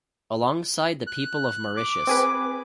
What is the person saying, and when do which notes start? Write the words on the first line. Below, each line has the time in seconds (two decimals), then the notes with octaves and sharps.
Alongside the people of Mauritius.
1.07 F#6
1.77 D6
2.07 C4 G#4 B4